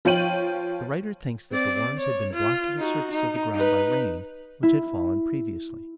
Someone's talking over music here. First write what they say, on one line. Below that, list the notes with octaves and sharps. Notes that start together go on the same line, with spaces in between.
The writer thinks that the worms had been brought to the surface of the ground by rain, which had fallen previously.
F3 F4 C#5 G5 D#7 F#7
C4 D5
C#5
F4
D#4 F#4
D#4
D#4 B4
E4